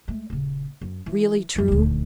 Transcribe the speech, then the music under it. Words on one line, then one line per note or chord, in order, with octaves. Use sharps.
"Really true?"
G#3 A3
D#1 C#3
F#2
E3
F#2 E3
D#1 D2